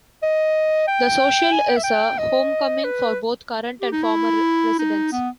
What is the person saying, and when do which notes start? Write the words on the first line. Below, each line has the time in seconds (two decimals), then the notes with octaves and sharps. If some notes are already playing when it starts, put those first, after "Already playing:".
"The Social" is a homecoming for both current and former residents.
0.23 D#5
0.88 G5
1.52 G#5
1.69 G5
1.77 E5
1.83 G5
2.18 D#5
2.84 B4
3.81 G4
3.92 D#4
4.03 E4
4.79 D#4
5.12 B3